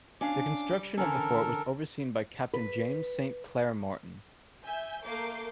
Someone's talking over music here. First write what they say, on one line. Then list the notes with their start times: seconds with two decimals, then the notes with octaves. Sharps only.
The construction of the fort was overseen by Captain James Saint Clair Morton.
0.21 C#4 D4 F5 D6
0.72 G3
0.97 D3 E3 C#4 A4 A#4
2.54 B4
4.65 E5 G#5 G6
5.05 A3 A#3 A#4 D6 G6 C7